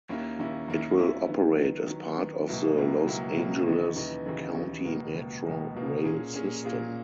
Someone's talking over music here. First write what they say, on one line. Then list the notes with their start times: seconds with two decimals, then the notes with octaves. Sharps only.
It will operate as part of the Los Angeles County Metro Rail system.
0.09 D#2 D#3 A#3 C#4 E4
0.39 D#2 D#3 A#3 C#4 E4
0.68 D#2 D#3 A#3 C#4 E4
0.99 D#2 D#3 A#3 C#4 E4
1.28 D#3 F#3 B3
1.58 D#3 F#3 B3
1.88 D#3 F#3 B3
2.18 D#3 F#3 B3
2.48 C#2 B2 F#3 A#3 E4
2.77 C#2 B2 F#3 A#3 E4
3.07 C#2 B2 F#3 A#3 E4
3.36 C#2 B2 F#3 A#3 E4
3.66 D#2 C#3 E3 B3 D#4
3.96 D#2 C#3 E3 B3 D#4
4.25 D#2 C#3 E3 B3 D#4
4.55 D#2 C#3 E3 B3 D#4
4.85 C#2 B2 A#3
5.14 C#2 B2 A#3
5.45 C#2 B2 A#3
5.74 C#2 B2 A#3
6.04 A#2 A#3 C#4 G#4
6.34 A#2 A#3 C#4 G#4
6.64 A#2 A#3 C#4 G#4